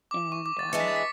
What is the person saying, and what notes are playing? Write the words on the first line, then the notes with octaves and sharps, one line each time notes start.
And, uh,
D6
C#6
D6
A6
E3 G#3 D4 G#4 C#7
B6
A6
B6